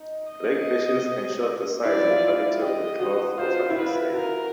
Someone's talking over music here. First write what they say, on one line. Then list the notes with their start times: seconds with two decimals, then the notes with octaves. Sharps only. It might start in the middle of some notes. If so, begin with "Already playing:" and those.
Regulations ensured the size and quality of the cloth offered for sale.
Already playing: D#4
0.32 D#5
1.85 E4 D5
2.11 F4
2.61 G4 D#5
3.00 F#4
3.38 F4 C5
3.70 E4
3.76 F4 B4
4.14 F#4 A#4